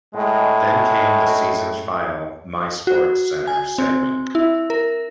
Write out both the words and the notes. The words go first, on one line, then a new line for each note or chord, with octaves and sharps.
Then came the season's final "My "SportsCenter"" segment.
A2 G#3
F#4
G#5
C4
E4
A#4